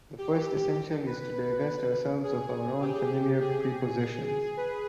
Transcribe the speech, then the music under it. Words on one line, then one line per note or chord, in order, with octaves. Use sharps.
The first essential is to divest ourselves of our own familiar prepossessions.
G4
B4
G#4
G4
G4
G#4
G#4
B4